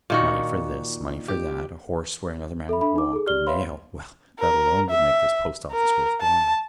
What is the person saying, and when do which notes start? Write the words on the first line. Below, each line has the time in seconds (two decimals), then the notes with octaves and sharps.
Money for this, money for that, a horse where another man would walk, and mail--well, that alone would make this post-office worth while.
0.10 A#2 D#3 F#4
1.28 G4
2.69 A4 E5 B5
2.81 D4 A4 E5 B5
2.96 D#4 D6
3.13 G#4 A4
3.27 G4 D5 F6 G7
3.47 B4 C#5 E5 F5 B5 C6
4.39 A#4
4.90 E5
5.71 A#4
6.21 A5